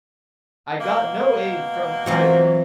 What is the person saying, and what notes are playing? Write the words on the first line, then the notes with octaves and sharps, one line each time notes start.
I got no aid from either.
B2 G#3 A#3
E3 F#3 C4 F4